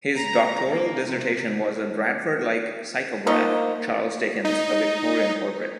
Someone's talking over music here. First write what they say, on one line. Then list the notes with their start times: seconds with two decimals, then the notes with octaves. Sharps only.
His doctoral dissertation was a Bradford-like psychograph, "Charles Dickens: A Victorian Portrait".
0.16 A#5
0.69 A#3
1.08 C3
3.27 F3 A3 A#3 D#4
4.45 D#4